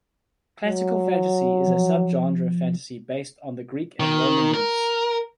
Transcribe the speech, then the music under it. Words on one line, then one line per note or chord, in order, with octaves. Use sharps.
Classical Fantasy is a subgenre fantasy based on the Greek and Roman myths.
F#3
F3
D#3
A#4